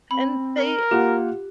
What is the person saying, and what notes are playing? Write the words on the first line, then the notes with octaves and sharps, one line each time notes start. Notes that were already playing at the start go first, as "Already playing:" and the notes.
and they
C4 B5
A#4
A#3 F4 G4 F#5